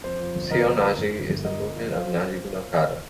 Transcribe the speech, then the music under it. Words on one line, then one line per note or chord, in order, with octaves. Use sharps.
Seoi-Nage is a movement of Nage-no-kata.
F2 C5
F3
G1
G1 A#4 D#5
F2
F3
G2
F3
G1
G1 A#4 D#5
G2
F3
C5 F5